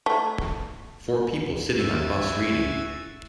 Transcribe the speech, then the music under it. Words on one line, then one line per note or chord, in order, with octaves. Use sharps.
Four people sitting on bus reading.
A3
F#4 E5 G#5 E6 G#6 A6